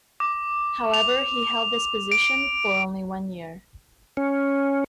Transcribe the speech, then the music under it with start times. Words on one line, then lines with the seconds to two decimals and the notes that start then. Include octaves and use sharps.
However, he held this position for only one year.
0.20 D6
0.94 F7
2.12 D7
4.17 C#4